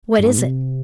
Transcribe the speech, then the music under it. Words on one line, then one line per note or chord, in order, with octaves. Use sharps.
"What is it?"
G2
G#2
B2
C3